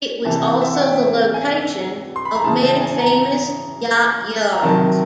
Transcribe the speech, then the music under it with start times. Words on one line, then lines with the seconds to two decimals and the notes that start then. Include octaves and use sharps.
It was also the location of many famous yacht yards.
0.25 C3 E3 A5
0.43 F#5
0.62 E5
0.75 F#5
0.80 G5
1.34 G#5
2.16 C6
2.25 B5
2.35 A#5
2.44 C#3 E3 A5
2.62 A5
2.81 G#5
2.99 A#5
4.53 A#5
4.62 C3 D#3 F#3 A5